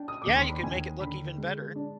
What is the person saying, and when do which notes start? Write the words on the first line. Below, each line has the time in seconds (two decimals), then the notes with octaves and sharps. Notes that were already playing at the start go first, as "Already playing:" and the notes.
Yeah, you could make it look even better.
Already playing: D4 G5
0.08 D#6
0.22 D#2 D6
0.35 C6
0.49 B5
0.63 D#2 G#5
1.00 D3 B5
1.38 G#3
1.76 D4